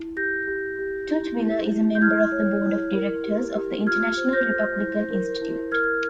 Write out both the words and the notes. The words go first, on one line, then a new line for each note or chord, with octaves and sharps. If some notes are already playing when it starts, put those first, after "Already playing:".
Tutwiler is a member of the board of directors of the International Republican Institute.
Already playing: E4
G4 G6 A#6
G4
G4
E4
E4
E4
G6
E4 F6 G#6
C#5
E4
A#4
G4
G4
F4 F6 G#6
C5
G6 A#6
C5
E4
A#4
E4
A#4 F6 G#6